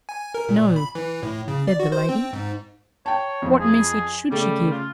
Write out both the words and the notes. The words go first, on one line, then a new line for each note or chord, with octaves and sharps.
"No!" said the lady; "What message should she give?"
G#5
A#4
A#2
B5
E3
A2
C#3
D5
F#4
C5
C4
G#2
C#5 G5 A5
F2 F3
G#4
C#3 G3 A3
F4